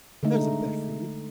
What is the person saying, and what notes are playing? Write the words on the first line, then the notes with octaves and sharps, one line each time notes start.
There's a bet for you!...
D3 G#3 A3 D#4